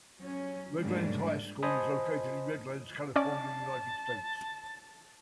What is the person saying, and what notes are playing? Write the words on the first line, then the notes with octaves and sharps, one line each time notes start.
Redlands High School is located in Redlands, California, United States.
F#3 C#4
G#2 F#3 G3 A3 A#3 D4
C5 D#5 G#5 A5 B5 D#6
C#4 D5 A5